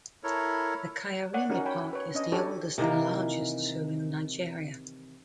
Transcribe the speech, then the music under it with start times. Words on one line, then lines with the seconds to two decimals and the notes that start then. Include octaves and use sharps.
The Kyarimi Park is the oldest and largest zoo in Nigeria.
0.24 E4 A4 A#4 C#5
1.34 C#5 D5 F#5
1.50 C#4 D#4 F#4 A#4 F#5
1.65 C#5 G5 B5
1.93 B4 C#5
2.14 C#4 D4 D#5
2.32 D4 F#4 G4 A4 C#5 A5
2.78 C3 D#3 E3 A#3